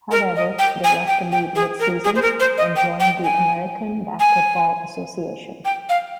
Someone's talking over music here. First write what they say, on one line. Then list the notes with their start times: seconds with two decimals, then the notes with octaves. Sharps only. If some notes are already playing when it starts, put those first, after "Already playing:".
However, they left the league mid-season and joined the American Basketball Association.
0.11 A#4
0.36 D#5
0.59 G5
0.84 G#5
1.08 G5
1.32 G5
1.56 G#4
1.80 A#4
2.04 G#4
2.16 C5
2.22 A#4
2.40 C5
2.58 D#5
2.76 G5
3.00 G5
3.24 G#5
4.20 G#5
5.65 G5
5.89 F5